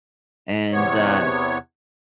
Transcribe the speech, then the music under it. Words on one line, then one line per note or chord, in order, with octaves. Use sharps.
and, uh
E2 C3 B3 C#5